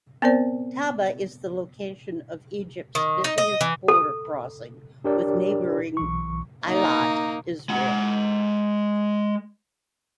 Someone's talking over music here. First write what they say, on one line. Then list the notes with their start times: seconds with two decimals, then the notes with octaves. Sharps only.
Taba is the location of Egypt's busiest border crossing with neighbouring Eilat, Israel.
0.22 B3 C4 A#4 C5 D5
2.95 D#3
3.24 D#4
3.38 D#5
3.61 E3
3.88 A4
5.04 D4 G4 A#4 C#5 D5
5.97 B1 E3 C#6
6.65 A#3 D#4
7.70 G#3 F#5